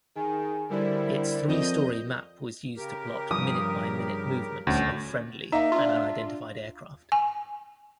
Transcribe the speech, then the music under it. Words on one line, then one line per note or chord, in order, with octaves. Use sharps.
Its three-story map was used to plot minute-by-minute movements of friendly and unidentified aircraft.
D#3 G#4 G#5
D3 G3 E4 A#4 C5 D5
F2 D#5 G6
C#3 G4 A#4
G2 F3 D#6
D#1 D2 C#4
A#3 D#4 E5 A#5
D4 F4
G#5